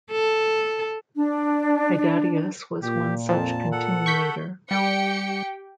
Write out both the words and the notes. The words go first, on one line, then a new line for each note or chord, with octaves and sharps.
Hydatius was one such continuator.
A4
D4
A#2 G4
F2 A5
A4 F#5
C#6 G6 B6
G3 G4 G5 C#7